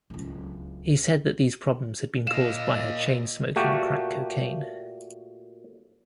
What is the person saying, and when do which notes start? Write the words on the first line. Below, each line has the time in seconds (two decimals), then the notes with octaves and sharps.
He said that these problems had been caused by her chain smoking crack cocaine.
0.10 D1 C#2
2.27 A#2 D#5 F5 E7
3.56 A#2 A3 A#3 F#4 G4